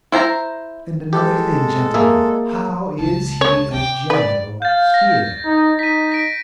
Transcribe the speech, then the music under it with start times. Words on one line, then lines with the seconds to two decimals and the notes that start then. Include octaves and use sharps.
And another thing, gentlemen, how is he a general here?
0.12 E4 C5 A5 A#5
1.13 G#3 G4 A4
1.94 A#3 G#4 E5
2.99 C#2 A#2 A5
3.41 C#5
3.73 C3 G5 D6
4.10 B4 D5
4.62 F5 G6 A6
4.94 A#6
5.45 D#4
5.79 D#4 B6 D#7
6.10 A#6 B6 D7